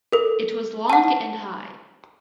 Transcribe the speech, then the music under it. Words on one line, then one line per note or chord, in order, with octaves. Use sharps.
It was long and high.
A4 A#4
F#5 A5